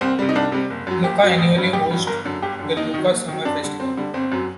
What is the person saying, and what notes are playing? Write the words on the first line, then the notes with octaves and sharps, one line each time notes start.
Lucca annually hosts the Lucca Summer Festival.
C2 C4
C3 G3
D#4
C2 D4
C3 G3
F#1
F#2 F#3
F#1 G4
F#2 F#3
A1
G2 F#3
A1 G4
G2 F#3
G1 A#4
F#2 D3
G1 G4
F#2 D3
D#2 D#4
D#3 F#3
D#2
D#3 F#3
F#2 D4
D3 G3
F#2 C4
D3 G3
G1 C4
F#2 F#3